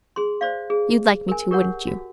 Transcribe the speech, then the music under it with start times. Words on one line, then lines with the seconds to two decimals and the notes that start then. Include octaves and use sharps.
You'd like me to, wouldn't you?'
0.16 G#4 C6
0.41 C5 D5 F5
0.70 G#4
1.28 A#4 G#5
1.51 G4 A#4 C#5 F#5
1.88 F#4